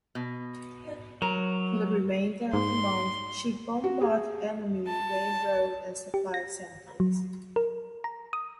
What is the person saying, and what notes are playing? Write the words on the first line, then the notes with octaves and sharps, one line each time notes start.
For the remainder of the month, she bombarded enemy railroad and supply centers.
B2
F#3 A#4
G#2 C6
F#4
G#4
A5
G4
A#6
F#3
A#4
A#5
D#6